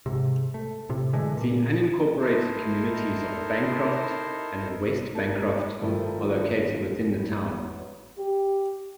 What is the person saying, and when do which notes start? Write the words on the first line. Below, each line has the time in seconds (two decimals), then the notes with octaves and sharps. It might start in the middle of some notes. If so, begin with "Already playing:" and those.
The unincorporated communities of Bancroft and West Bancroft are located within the town.
0.06 G#2 C3
0.54 A3
0.89 A2 C3
1.13 D3 E3 G#3 A3
1.37 A#2
2.20 D#4 E4 A4 A#4 C5
5.15 D#4 G4 A#4 A5
5.80 G2 D#3 F3 A3 E4 F4
7.19 F#3 B3
8.18 G4